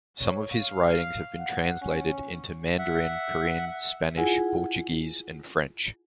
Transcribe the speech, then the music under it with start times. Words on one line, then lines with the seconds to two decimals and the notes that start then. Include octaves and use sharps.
Some of his writings have been translated into Mandarin, Korean, Spanish, Portuguese and French.
0.20 C#5
0.53 F5
1.40 F#5
1.82 C#4
2.78 E5 F#5
4.17 E4 F4 G#4 F#5 G#5